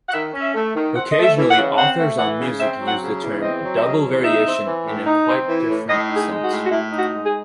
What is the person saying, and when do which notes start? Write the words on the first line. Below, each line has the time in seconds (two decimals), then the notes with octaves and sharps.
Occasionally, authors on music use the term "double variation" in a quite different sense.
0.09 F#5
0.14 D#3 E5
0.34 C#4
0.41 E5
0.55 A3
0.75 D#3
0.96 C4 F#5
1.12 A3 D#5
1.23 E5
1.37 E3
1.51 F#5
1.57 C#3
1.78 C4 F#5
1.99 A3
2.19 E3 F#5
2.40 C#3
2.60 C4 E5
2.81 F#3
2.88 F#5
3.02 C#3
3.22 E2
3.42 C4 D#5
3.64 F#3
3.77 E5
3.83 C#3 D#5
4.04 E2
4.24 D#4 E5
4.45 C4
4.66 E3
4.86 A2
5.07 D#4
5.28 C4
5.49 E3
5.69 A2
5.89 A2 D#5
6.10 D#4
6.17 G#4
6.30 G#3
6.44 F#4
6.51 A2
6.66 F#4
6.71 A2 E4
6.92 D#4
6.99 F#4
7.13 G#3
7.26 G#4